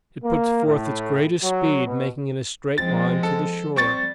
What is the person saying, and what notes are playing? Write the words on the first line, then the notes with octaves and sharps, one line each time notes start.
It puts forth its greatest speed, making in a straight line for the shore.
A#3
A2
F#3
B2
F3 G#3 C4 A6
A4
G3 C4 C#6 A6